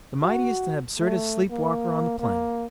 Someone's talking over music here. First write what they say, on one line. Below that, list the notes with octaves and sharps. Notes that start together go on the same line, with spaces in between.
The mightiest and absurdest sleep-walker on the planet!
F#4
A3
A#3
A#3